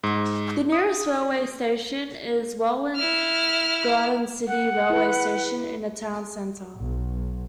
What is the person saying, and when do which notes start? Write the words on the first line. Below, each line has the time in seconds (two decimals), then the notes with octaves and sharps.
The nearest railway station is Welwyn Garden City railway station in the town centre.
0.04 G#2
0.72 D#6
2.96 E4 F6
4.47 F#5
4.90 E4 B4
6.77 B1